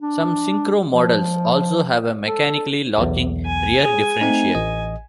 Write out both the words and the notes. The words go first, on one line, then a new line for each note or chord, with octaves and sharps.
Some syncro models also have a mechanically locking rear differential.
D4
F3
A4
B1 E2
G#5
G#4
A3 C4 D#4
A1 D#5